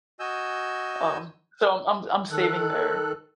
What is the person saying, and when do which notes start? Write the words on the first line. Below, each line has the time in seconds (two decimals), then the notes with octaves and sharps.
Um, so I'm I'm saving there.
0.20 F#4 D#5 G#5 E6 G6
2.30 D#3 A4 F#6